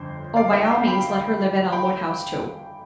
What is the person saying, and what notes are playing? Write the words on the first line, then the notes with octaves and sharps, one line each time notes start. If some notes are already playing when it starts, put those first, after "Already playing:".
Oh, by all means let her live at Elmwood House too.
Already playing: G1 F2 D3 C5
D5 F5
E5 G5
F5 A5
G5 B5
G5 B5